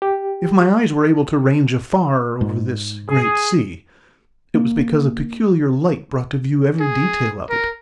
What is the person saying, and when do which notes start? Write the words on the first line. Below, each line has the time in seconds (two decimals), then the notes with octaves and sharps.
If my eyes were able to range afar over this great sea, it was because a peculiar light brought to view every detail of it.
0.02 G4
2.41 G#2
3.09 G#4
4.54 A#3
6.80 G#4
7.50 A#4